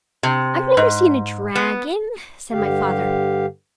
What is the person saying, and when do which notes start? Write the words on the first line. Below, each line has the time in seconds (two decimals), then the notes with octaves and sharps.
"I've never seen a dragon," said my father.
0.23 C3
0.77 G#2
1.55 B3
2.51 G2 D3 G4 F5